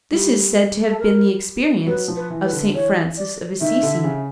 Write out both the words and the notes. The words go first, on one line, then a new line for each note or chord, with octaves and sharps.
This is said to have been the experience of St. Francis of Assisi.
G3
A4
A#4
F#3 B4
F3
B4
E3
B4
D3
E3 C#5
D5
D#3 E5
D3
C#3